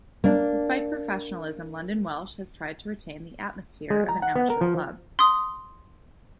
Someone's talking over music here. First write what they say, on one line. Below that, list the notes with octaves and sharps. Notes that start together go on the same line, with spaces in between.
Despite professionalism, London Welsh has tried to retain the atmosphere of an amateur club.
A#3 D4
G#3
A#5
F#5
B3
A#4
F3
C6 D#6